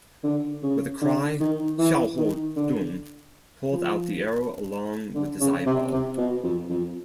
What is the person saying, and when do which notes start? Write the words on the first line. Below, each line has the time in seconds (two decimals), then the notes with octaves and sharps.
With a cry, Xiahou Dun pulled out the arrow along with his eyeball.
0.24 D3
0.62 C#3
1.01 D3
1.40 D#3
1.78 E3
2.17 D#3
2.56 D3
3.72 F3
5.15 D3
5.40 C#3
5.66 C3
5.92 C3
6.18 B2
6.43 F2
6.70 F2